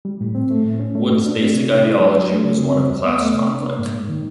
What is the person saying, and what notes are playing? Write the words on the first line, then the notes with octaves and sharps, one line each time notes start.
Wood's basic ideology was one of class conflict.
G3
A2
C4
A3
A2
C#4
A3
G#2
D4
A3
C3
D4
E4
F#3
F#3
A3
C#3
C4
G3
E2
B3
A3
C3
D4
A#3
G#2
G#2
D#3